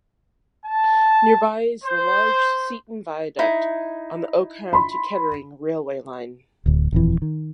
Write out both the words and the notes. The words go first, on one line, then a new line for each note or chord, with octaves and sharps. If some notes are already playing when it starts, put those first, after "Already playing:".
Nearby is the large Seaton Viaduct, on the Oakham to Kettering railway line.
A5
C5
D#4 E4
B5 C6
D1 D2
D#1 F2 E3
D#3